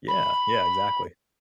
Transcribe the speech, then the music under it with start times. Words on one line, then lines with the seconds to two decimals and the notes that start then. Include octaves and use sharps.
Yeah, yeah, exactly.
0.08 B5